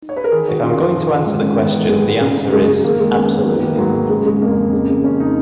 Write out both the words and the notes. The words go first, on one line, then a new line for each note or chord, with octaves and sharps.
If I'm going to answer the question, the answer is: absolutely.
C#5
B4
A#4
D#3 G#4
D#3 F#4
F#2 F4
F#2
D#3
D#3
G#2
G#2 C#4
D#3 B3
D#3 B3
G#2 G#3
G#2
C#3
C#3
F#2 G#3
F#2 G#3
D#3 A#3
D#3 G#3
F#2 B3
F#2 B3
D#3 B3
D#3 A#3
G#2 F#3
G#2
C#3 G#3
C#3 G#3
F2 A#3
F2
C#3
C#3
F2 C#4
D#4